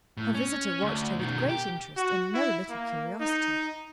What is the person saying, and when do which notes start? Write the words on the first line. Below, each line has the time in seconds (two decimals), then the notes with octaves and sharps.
Her visitor watched her with great interest and no little curiosity.
0.17 A2
0.34 C#4
0.83 D2
1.19 B2 D#3
1.49 G4
1.97 F#4
2.34 E4
2.70 A#3
3.21 D#4